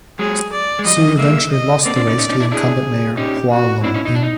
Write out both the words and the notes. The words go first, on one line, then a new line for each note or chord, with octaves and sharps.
Su eventually lost the race to the incumbent mayor Hau Lung-pin.
F#3 G#3 G#4
D5
G#3
F3 G3 D#5
F3
D3 E3
G#3 A#3 E5
D#5
A#3 C4 D5
C4 D4
C#4 D#4
C#4 D#4
C#4 D#4
D4 E4
D4 E4 G#4
C#4 D#4 G4
F#4
C4 D4 E4
C#4 D#4
D#4
D4
D#4